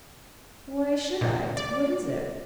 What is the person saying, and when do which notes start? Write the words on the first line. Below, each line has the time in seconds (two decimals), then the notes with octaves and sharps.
"Why should I? What is it?"
1.21 A#2
1.57 D5